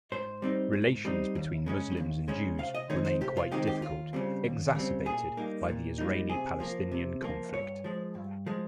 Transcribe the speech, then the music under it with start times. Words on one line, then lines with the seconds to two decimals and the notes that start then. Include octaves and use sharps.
Relations between Muslims and Jews remain quite difficult, exacerbated by the Israeli-Palestinian conflict.
0.12 G#2 C5
0.42 G3 C4 D#4
0.73 G#2
1.05 G3 C4 D#4
1.35 D#2
1.66 C#3 G#3 C#4
1.97 D#2
2.28 C#3 G#3 C#4
2.58 C3 F5
2.75 D#5
2.90 D#3 G#3 C4 D#4 C#5
3.05 C5
3.21 C3 G4
3.37 F4
3.51 D#3 G#3 C4 D#4 G4
3.67 G4
3.82 D#2 F4
4.13 C#3 G3 C4
4.45 D#2
4.75 C#3 G3 C4
5.06 A#2 G#4
5.37 G3 A#3 D#4
5.68 A#2
5.98 G3 A#3 D#4
6.29 C3 G#4
6.60 F3 A#3
6.92 C3
7.22 F3 A#3
7.53 G2 C#5
7.84 F3 G#3
8.15 G2
8.46 F3 G#3